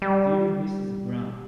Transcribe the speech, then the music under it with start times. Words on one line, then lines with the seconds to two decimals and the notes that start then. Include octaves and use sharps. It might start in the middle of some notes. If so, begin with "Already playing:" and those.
Dear Mrs Brown.
0.02 G3